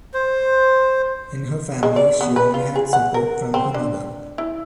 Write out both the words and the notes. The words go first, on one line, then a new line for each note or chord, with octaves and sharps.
In her family she only had support from her mother.
C5
G#3
D5
B3
B4
F4
G#4
F#5
A#4
C4
D4
E4